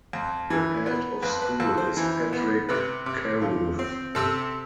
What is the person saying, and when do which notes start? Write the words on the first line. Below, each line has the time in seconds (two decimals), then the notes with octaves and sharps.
The head of school is Patrick Carruth.
0.13 F2
0.50 E3
0.86 B3
1.22 F2 B4
1.42 B4
1.60 F2 A4
1.78 C5
1.97 E3
2.33 B3
2.69 C3 B4
3.06 C3
3.42 F3
3.79 C4
4.15 C3 A4